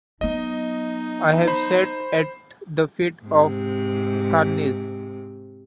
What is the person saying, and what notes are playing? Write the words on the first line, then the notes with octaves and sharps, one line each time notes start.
I have sat at the feet of Cairnes.
F#3 B3 D#4 D#5
C5 B5
G#2 C3